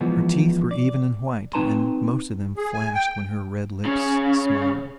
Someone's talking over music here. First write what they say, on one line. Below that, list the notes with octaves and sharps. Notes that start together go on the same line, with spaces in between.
Her teeth were even and white, and most of them flashed when her red lips smiled.
E3 F3 G#3 B3
D5
C4 D#4 B4 A5 A#5 C6
G#4
G#5
G5
C#3